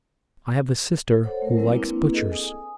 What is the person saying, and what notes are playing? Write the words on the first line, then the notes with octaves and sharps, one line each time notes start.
I have a sister who likes butchers.
A4 C5 C#5 F#5
A3 A#4
F#3 G#3 C4 E4
A#3 C4 D4 E4 B4
G#4 A4 D#5
G#5 D#6